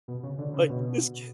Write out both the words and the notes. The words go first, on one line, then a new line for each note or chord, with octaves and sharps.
Like, this kid
B2
C#3
D3
C#3
B2